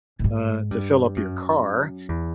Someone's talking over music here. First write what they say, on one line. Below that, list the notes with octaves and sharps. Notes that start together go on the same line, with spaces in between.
uh, to fill up your car,
A2
G#2
G2
F#2
E2